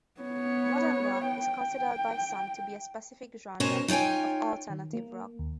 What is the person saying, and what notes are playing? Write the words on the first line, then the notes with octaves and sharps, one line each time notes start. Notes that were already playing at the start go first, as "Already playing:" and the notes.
Modern rock is considered by some to be a specific genre of alternative rock.
B3 C#5
G5
B2 C#4 F#4 A#4 C5 G#5
D#4 F4 C#5 G5 G#5
D#3
A#3
D#2